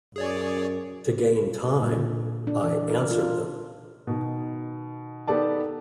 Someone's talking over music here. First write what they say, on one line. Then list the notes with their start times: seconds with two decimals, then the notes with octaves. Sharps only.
To gain time I answered them.
0.16 F#2 G#4 C#5 D5
1.82 A#2
1.98 D3
2.47 D4
2.64 E3
2.88 A#4
3.11 F4
4.07 B2 D#3
5.27 D#3 B3 G4 A4 D5 A5